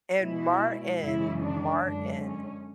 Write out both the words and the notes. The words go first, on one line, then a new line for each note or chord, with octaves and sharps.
And Martin. Martin,
B2 G#3 E4
F#2 C#3 E3 G#3 E4
D4
F#2 D3 G#3 D4
C#4